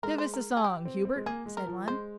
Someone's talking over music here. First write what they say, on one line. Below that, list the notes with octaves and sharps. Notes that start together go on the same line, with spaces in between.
"Give us a song, Hubert," said one.
G#3 A#4
C5
A#4
G#4
G4
C4
C4
G#3
A#3 G#4
G#3
A#4
F3
G#3 C5